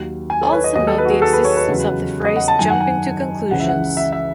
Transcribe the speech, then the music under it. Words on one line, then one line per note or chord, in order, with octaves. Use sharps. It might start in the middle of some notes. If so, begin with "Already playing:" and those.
Also note the existence of the phrase "Jumping to conclusions".
Already playing: D#2 D#3 F#3
G#5
A4
C#5
B4
D#5
D#2 D#3 F#3 D#5
A4
B4
F#4
G#4
A4
B4
C#5
B4
E2 C#3 F#3
D#5
F#5
A5
F#2 D#3 F#3 G#5
F#5
G#5
C#2 C#3 E3 F#5
E5
F#5
E5
E5